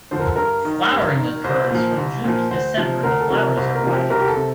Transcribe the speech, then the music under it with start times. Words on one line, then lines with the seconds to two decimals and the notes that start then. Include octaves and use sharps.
Flowering occurs from June to December and the flowers are white.
0.11 D3 F3 C5
0.20 A#4
0.28 A4
0.36 G2 A#4
0.65 D#3
0.91 G2
1.17 D#3
1.44 C2 C5
1.71 A#2 F3
1.97 C2
2.24 A#2 F3
2.51 D2 C5
2.77 C3 F3
3.03 D2 A#4
3.21 A4
3.30 C3 F3 A#4
3.57 C2 C5
3.75 A#4
3.83 C3 F3
3.92 G4
4.10 C2 A#4
4.20 G4
4.28 A4
4.37 C3